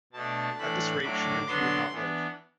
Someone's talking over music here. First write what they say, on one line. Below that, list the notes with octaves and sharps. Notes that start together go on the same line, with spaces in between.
At this rate she knew he would not live.
B2 A3 D4 A5
A2 E3 A3 D4 B5
A2 F#3 A3 D4 D6
D3 F#3 B3 D4 C6
E3 B3 D4